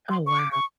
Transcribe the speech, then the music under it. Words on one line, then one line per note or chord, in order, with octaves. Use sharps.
Oh, wow.
C6
C#6
D6
C#6